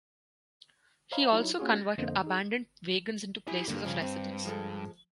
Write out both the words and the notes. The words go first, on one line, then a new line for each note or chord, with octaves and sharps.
He also converted abandoned wagons into places of residence.
C5 C#5 D#5 F5 A#5 B5
F#3 D#4 E4
A#3 C#4 F4 F#4 G#4
A6 A#6
F2 D3 F3 A#3 C5 D#5
D#4 G#4
E4 G4 G#5
G2 D3 A#3
C#3 F3
C4
F3 G#3 A4